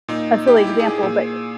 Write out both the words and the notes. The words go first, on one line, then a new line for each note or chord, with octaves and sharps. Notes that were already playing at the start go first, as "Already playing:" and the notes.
a silly example, but
A#2 D#4
G4
E4
G4
G#4
G#4
A#2